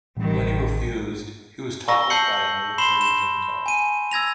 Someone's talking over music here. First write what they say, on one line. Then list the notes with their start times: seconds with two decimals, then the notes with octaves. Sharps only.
When he refused, he was toppled by a military junta.
0.17 A1 D#3 G3
1.88 C#6 E6 A#6 G7
2.10 A5 E6 G6 C7 C#7 F#7
2.78 B5 C6 C7 E7 G7
3.01 E7
3.66 G#5 D#7
4.11 E6 G#6 A#6 F7